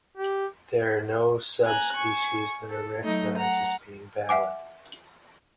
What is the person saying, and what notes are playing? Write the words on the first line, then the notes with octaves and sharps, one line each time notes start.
There are no subspecies that are recognized as being valid.
G4
G#5 A#5 F#6
G#5 C#6
A4
F#3 A3 D#4 D#5
F#5 A#5
E5 F#5 G#5 D6